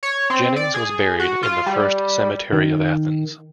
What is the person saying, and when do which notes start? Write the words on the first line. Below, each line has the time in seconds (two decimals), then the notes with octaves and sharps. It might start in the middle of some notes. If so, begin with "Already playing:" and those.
Jennings was buried in the First Cemetery of Athens.
0.03 C#5
0.30 C4
0.56 D5
0.74 G#4
1.19 F#4
1.43 F4
1.66 G3
2.53 D#3